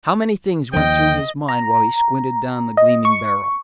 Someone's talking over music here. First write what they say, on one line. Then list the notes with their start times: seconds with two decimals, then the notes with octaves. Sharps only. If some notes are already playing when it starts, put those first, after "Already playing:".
How many things went through his mind while he squinted down the gleaming barrel!
0.73 D#2 F3 D#5 G5
1.49 A#5
2.77 D#5
3.05 C#6